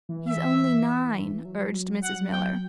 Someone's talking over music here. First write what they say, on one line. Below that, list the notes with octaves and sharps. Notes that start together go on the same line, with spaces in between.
"He's only nine," urged Mrs. Miller.
E3
E5
F#3
F#5
G5